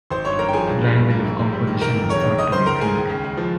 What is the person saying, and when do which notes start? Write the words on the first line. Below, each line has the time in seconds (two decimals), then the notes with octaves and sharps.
The language of composition is thought to be Greek.
0.10 G#1 C5 C6
0.25 G2 C#5 C#6
0.39 G#1 A#4 A#5
0.49 G5
0.53 F3 G#4 G#5
0.67 G2
0.83 G3
0.97 G2
1.10 A#3
1.24 A#1
1.39 G#2
1.52 G3
1.67 D#3
1.81 G1 A#4 A#5
1.96 F2
2.09 G#3 C#5 C#6
2.24 D#3
2.38 C#2 D#5 D#6
2.52 C#3 C5 C6
2.66 C#2 A#4 A#5
2.80 G#3 G#4 G#5
2.96 D#2
3.09 C#3
3.24 G#3
3.37 F3